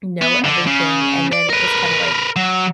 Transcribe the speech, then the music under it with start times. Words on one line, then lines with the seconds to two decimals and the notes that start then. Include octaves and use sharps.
know everything, and then it was kinda like,
0.22 B3
0.44 D3
0.66 C#3
1.33 D5
1.49 A#4 B4
2.36 F#3